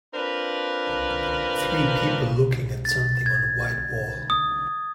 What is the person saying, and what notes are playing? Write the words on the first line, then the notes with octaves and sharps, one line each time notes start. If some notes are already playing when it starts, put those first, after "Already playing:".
Three people looking at something on a white wall.
C4 D4 F4 A#4 B4
A6
G#6
D#6